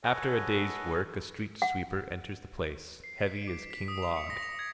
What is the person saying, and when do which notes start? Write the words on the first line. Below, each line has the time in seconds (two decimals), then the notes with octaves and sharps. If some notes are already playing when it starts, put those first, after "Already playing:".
After a day's work a street-sweeper enters the place, heavy as King Log.
0.03 A4 B4 C#5 D#5 F#5 G#5
1.62 F#5
3.04 C7
3.18 B6
3.35 D7
3.48 D6
3.71 B6
3.88 D#6
4.02 F7
4.16 C#7
4.30 A#6
4.43 F7
4.59 G#6